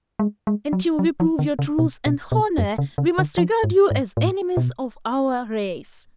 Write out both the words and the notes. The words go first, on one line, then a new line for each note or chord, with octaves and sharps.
Until we prove your truth and honor we must regard you as enemies of our race.
G#3
G#3
F#3
F#3
F3
D3
C#3
B2
B2
B2
F#2
C#3
C#3
D3
F3
G#2
G#2
A2
B2